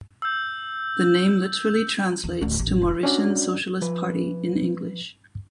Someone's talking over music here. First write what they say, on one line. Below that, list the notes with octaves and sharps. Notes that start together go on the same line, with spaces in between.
The name literally translates to "Mauritian Socialist Party" in English.
E6 G6
E2
D1 A2
A1 D#2
F1
C#4 D4 F#4 D5
F3 B4